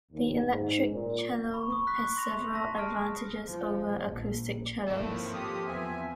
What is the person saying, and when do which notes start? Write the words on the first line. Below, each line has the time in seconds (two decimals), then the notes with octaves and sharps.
The electric cello has several advantages over acoustic cellos.
0.12 D#2
0.49 G#2
0.90 A#2
1.54 B5 C#6
1.70 C#6 D#6
1.87 F#6 B6
2.16 C6 D#6 A#6 F7
2.54 A5 C6 A#6 B6
2.76 A5 D#6 F6 D7
3.47 F3
4.05 A#1
4.88 G#1 A2 F3 A3 A#3 C4 A4
5.34 G4 D#6
5.67 E2 B3 E5 G#5